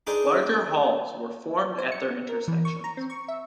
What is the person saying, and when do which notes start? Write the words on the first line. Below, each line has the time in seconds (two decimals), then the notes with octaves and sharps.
Larger halls were formed at their intersections.
0.07 D4 D#4 G#4 A4 B4 C5
1.78 C5
1.92 C#7
2.11 B3
2.29 A#4
2.48 E3
2.65 C#6
2.84 A#5
2.97 C4
3.10 C#6
3.28 E5